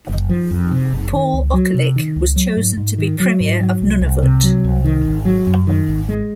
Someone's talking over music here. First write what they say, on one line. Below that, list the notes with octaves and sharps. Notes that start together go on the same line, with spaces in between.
Paul Okalik was chosen to be Premier of Nunavut.
F#1
F3
F2
C3
F#1
D#3
C#2
F#3
C3
D#3
C#2
F#3
G#2
G#2
D#3
F#3
G#2
F#3
C2
C2
C3
F#3
C2
D#3
G#1
F#3
F#2
D#3
G#1
G#3